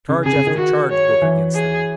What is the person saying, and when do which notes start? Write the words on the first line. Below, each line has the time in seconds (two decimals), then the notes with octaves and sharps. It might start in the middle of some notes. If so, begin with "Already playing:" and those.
Charge after charge broke against them.
0.09 C#3
0.24 C#3 G#4
0.35 C#3
0.47 D#3
0.57 F#4
0.90 C#5
1.22 E3
1.54 G#4